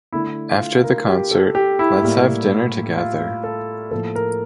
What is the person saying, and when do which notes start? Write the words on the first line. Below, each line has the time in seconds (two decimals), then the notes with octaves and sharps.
After the concert, let's have dinner together.
0.12 D3 A3 E4
0.60 F4
0.84 A#4
1.07 G4
1.31 A4
1.55 G4
1.79 E4
2.02 A2 G3 A#3
2.97 F4
3.44 A4
3.91 A2 F3 A#3 A4
4.15 A#4